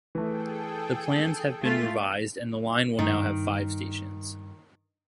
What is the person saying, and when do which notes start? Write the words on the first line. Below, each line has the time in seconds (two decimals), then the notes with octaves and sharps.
The plans have been revised and the line will now have five stations.
0.15 E3 A3 G#4 A4 G5
1.62 A3 F4
2.99 G2 D#3